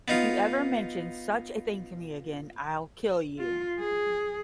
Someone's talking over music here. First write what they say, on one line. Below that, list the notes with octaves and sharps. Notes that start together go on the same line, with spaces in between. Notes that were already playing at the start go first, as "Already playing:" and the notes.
If you ever mention such a thing to me again, I'll kill you.
B3 D#4 F4
F4
G#4